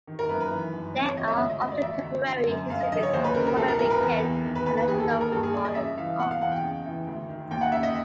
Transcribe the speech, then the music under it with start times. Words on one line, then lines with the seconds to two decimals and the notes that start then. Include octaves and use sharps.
There are often temporary exhibits on Puerto Rican and Latino modern art.
0.07 D#3
0.19 A#4
0.29 F#2 B4
0.40 B4
0.51 E3
0.74 G2
0.94 C3
1.05 C#5
1.17 C#2 D#5
1.28 E5
1.38 D2 E5
1.50 D#5
1.60 D2 D#5
1.72 D5
1.82 D2 E5
2.04 D2
2.26 D3
2.47 F#2
2.70 F#2 F5
2.80 D#5
2.92 D3 D#5
3.03 C#5
3.13 D#2 C5
3.24 B4
3.35 C#3 A#4
3.47 A#4
3.57 C2 A4
3.68 A#4
3.79 C2 A#4
3.90 B4
4.00 E2
4.22 E2
4.45 D#3
4.55 B4
4.66 D#2 B4
4.77 B4
4.88 D#2 G#4
4.99 A4
5.10 D#2 A#4
5.21 A#4
5.32 G2 A4
5.43 G#4
5.54 G2 D5
5.65 D#5
5.75 C#3 E5
5.97 E3 F5
6.19 B2 F#5
6.31 F5
6.41 E2 F#5
6.52 G5
6.62 C#3
6.85 E3
7.07 D2
7.29 D#3
7.51 D#2 G5
7.61 F#5
7.72 C#3 E5
7.83 D#5